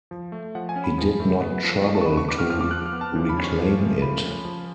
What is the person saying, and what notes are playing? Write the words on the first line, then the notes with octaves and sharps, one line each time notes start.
He did not trouble to reclaim it.
F3
A3
F3 F#5
G#5
C#4
B5
F3
A3
B3
F3
F3 C#6
A5
C#6
B3 B5
C#6
B3 D6
F6
F3 F6
D6
F3 F#6
F6
B3
A5
F3
B5
C#4
C#6
F3
A3
F3 B5
C#4
F3